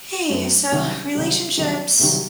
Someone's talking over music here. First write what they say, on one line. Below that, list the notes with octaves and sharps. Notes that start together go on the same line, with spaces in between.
Hey, uh, so relationships
F#2 F#3 A3
C2 C3 D#3 F#3
C2 C3 D#3 F#3
C2 C3 D#3 F#3
C2 C3 D#3 F#3